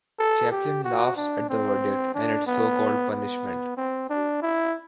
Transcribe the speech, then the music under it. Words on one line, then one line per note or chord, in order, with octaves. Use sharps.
Chaplin laughs at the verdict and its so-called punishment.
A4
G4
F#4
D4
C4
D4
B3
B3
C4
D4
E4